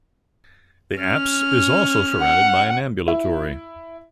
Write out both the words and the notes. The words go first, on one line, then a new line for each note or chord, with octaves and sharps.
The apse is also surrounded by an ambulatory.
C#4 F6
F#5
E4